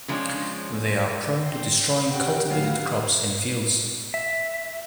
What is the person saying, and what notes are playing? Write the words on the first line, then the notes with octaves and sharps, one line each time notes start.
They are prone to destroying cultivated crops in fields.
C#3 F3 G#3 C4 D4 C#5
C5 G5
F#4 G4 G5
A2 F#3 B3 F5
E5